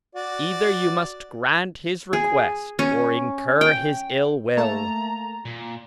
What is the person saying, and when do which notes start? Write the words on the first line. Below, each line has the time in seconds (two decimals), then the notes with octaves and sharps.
Either you must grant his request or incur his ill will.
0.15 F#4 D5
2.13 G#4
2.79 C#4
3.61 G5
4.57 A3 A#3 A5 A#5
5.46 A#2